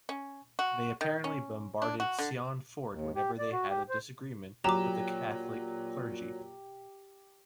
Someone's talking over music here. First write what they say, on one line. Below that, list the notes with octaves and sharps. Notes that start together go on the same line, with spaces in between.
They apparently bombarded Sion Fort whenever they had a disagreement with the Catholic clergy!
C#4
F#4
D#3
C#4
D4
F#4
D3
D#2
G4
D5
F#4
G4
C5
A#2 F#3 G4 A#5 D6 E7